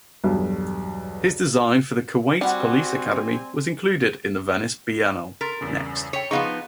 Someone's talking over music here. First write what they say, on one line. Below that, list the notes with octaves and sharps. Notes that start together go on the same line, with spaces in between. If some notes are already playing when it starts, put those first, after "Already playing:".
His design for the Kuwait Police Academy was included in the Venice Biennale, "Next".
B1 E2 G2
G3 C4 F#4 F#5 G#5 B5
A#4 C6 A6 B6
E2 G2 C#3
C#5 G5 B6 C#7
F3 B3 D#4 G#4 F5 F#5 C#6